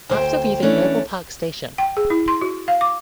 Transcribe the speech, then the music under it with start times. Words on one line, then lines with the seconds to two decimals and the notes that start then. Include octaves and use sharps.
After leaving Noble Park Station.
0.10 D2 C5 G5
0.62 E3 A3 C#4 D4
1.78 G5
1.97 G#4
2.10 E4
2.28 C6
2.41 F#4
2.68 F5
2.81 D6